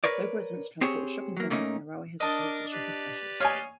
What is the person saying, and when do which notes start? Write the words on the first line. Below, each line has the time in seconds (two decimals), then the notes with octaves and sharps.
Local residents are transported to shopping centres and the railway has operated 'shoppers specials'.
0.04 A#4 B4 C#5 D5
0.81 C4 G4 G#4 C5 C#5
1.37 F#3 A#3
1.50 A#2 A3 A#3 C#4 D#4
2.20 D4 A#4 D#5 D6 A#6
2.72 G4 B4 D5
3.40 C#5 D#5 F5 G#5